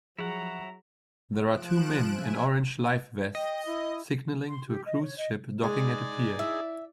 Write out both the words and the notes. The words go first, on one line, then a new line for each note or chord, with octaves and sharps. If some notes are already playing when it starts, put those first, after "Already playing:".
There are two men in orange life vests signaling to a cruise ship docking at a pier.
F3 F#3 E4 G#4 C#5 F#5 A#5
F3 F#6 D7 E7
E5 G#5
D#5 G5
E4
C6
G4
D#5
C#5
D#5
G#3 D#4 G#4 D5
E4 E5